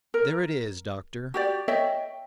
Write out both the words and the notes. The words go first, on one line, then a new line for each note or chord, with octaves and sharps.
There it is, doctor.
A#4
F#4 G4 D5
C#5 D#5 E5 G5